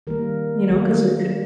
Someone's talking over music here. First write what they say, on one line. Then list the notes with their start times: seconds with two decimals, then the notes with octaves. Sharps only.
You know, 'cause it could
0.07 D#3 G3 A#3 A#4
0.70 D#3 G3 A#3